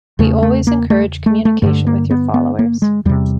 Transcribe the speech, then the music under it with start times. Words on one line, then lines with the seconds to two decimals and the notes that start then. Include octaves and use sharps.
We always encourage communication with your followers.
0.19 E2 C#3 A3
0.42 A3
0.67 A#3
0.90 A3
1.26 A3
1.45 A3
1.62 G2 D3 A3
1.87 A#3
2.11 B3
2.34 B3
2.59 A#3
2.82 G#3
3.05 E2 C3 G3